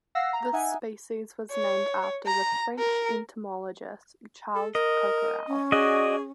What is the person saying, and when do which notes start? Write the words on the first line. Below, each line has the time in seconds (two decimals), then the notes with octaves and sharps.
This species was named after the French entomologist Charles Coquerel.
0.15 F5 F#5 E6 A#6 C7
0.33 A#5
0.53 D#4 E5 F#5 G#5
1.51 C#5
2.26 A#5
2.78 A#4
4.56 A4
4.75 A#4 D#5
5.47 C#4
5.72 F#4 G#4 D5 D#5